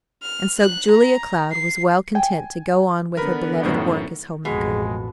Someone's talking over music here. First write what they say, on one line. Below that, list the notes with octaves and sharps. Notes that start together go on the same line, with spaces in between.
And so Julia Cloud was well content to go on with her beloved work as home-maker.
F6
F#6
A#5
C7
G5 G#5
D3 B3 A#4 B4 B5
F#2 A2 D#3 A#4 C5
A1 F2 B2 G#3 G#4